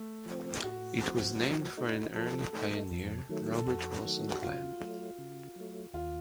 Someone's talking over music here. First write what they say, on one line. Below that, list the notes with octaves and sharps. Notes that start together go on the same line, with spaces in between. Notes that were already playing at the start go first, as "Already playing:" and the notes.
It was named for an early pioneer, Robert Wilson Glenn.
Already playing: A3
F3 C4
A2 F#4
F3 C4
F3
A3 D#4
F3 A4
A3 D#4
F2
D#3 F#3 A3
A4
F2 F#4
D#3 F#3 A3
F#4
C#3 F4
F#3 A3
C#3
F#3 A3
D#2 F4